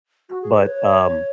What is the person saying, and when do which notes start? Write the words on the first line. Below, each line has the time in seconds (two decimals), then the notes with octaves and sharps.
But, um,
0.30 F#4
0.42 G#4
0.54 B4
0.67 C#5